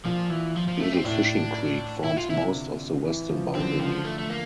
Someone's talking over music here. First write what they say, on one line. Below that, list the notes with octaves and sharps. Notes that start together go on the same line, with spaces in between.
Little Fishing Creek forms most of the western boundary.
A#2 F3
E3
F3
F3
A3
C4
A2 D4
A#2 E4
F4
C3 E4
D3
E3
F3
D3 C4
F3
A3
A3
A#3